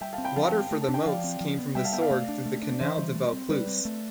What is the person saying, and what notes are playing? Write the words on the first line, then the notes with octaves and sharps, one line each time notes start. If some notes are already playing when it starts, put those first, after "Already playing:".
Water for the moats came from the Sorgue through the Canal de Vaucluse.
G3 E5 G5
F5 A5
C4
G5 B5
F3 F5 A5
C4
A3
A5
D4
G5
F3 D5 F5
C4
F3
B3
G3 E5 G5
F5 A5
B3 E5 G5
D5 F5
A3
D4
A3
D4
D5
E3 C5 E5
G3
A3
C4
G3 B4 D5
C4
A3